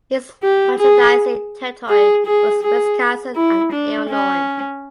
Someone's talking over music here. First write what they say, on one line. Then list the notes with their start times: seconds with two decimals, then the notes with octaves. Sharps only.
His merchandising territory was Wisconsin and Illinois.
0.43 G4
0.79 G#4
1.89 G#4
2.26 G#4
2.62 G#4
3.36 E4
3.73 D4
4.10 C#4